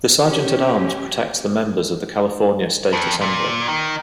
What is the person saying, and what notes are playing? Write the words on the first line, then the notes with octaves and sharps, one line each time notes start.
The Sergeant-at-Arms protects the members of the California State Assembly.
C#4 G4
F2
A#2
D#3